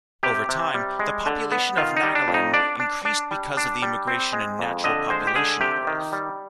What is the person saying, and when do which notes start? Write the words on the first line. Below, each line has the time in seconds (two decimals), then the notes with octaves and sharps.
Over time, the population of Naghalin increased because of immigration and natural population growth.
0.23 C3 G4
0.49 C3
0.74 G3
0.99 G#3
1.26 D3
1.52 B3
1.77 D#3 F4
1.97 D#4
2.03 G3
2.15 D4
2.28 F2
2.34 D#4
2.53 D4 D5
2.80 D4
3.05 D4
3.31 G3
3.57 D4
3.82 G3
4.07 C4
4.33 G#3
4.59 F2
4.84 D3 D#5
5.10 G#3 C5
5.27 G4
5.36 D3 G#4
5.61 C3 G4
5.87 D#3
6.12 G3